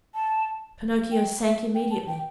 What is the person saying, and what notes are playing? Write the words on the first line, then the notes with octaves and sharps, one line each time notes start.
Pinocchio sank immediately.
A5
G5
E5
G5
A5
G5